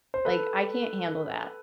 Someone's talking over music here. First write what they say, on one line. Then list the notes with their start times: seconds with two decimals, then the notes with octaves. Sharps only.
like, "I can't handle that."
0.14 C5
0.25 A4 B4